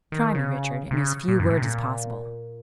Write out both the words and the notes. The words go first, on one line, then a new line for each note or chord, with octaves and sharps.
"Try me, Richard, in as few words as possible."
D#3
C#3
C3
C#3
A#2
F#2
A2
C3
A#2